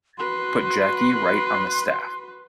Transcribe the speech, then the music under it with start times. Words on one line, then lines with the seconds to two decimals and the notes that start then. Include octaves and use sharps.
Put Jackie right on the staff.
0.18 F#4 B4 C6